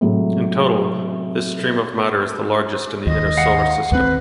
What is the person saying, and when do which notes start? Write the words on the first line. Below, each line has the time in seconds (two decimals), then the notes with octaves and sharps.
In total, this stream of matter is the largest in the inner solar system.
0.01 A2 C3 F#3 G#3
3.07 D#2 D#5
3.37 F5 F#5
3.92 D#2 G3 C4 B4